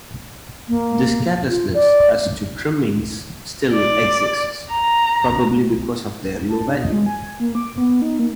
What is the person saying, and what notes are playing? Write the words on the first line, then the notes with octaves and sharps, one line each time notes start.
This carelessness as to trimmings still exists, probably because of their low value.
A#3
F4
D5
D5
A#5
A5
D4
D#5
G#3
G#5
A#3
D6
B3
D#4
A#3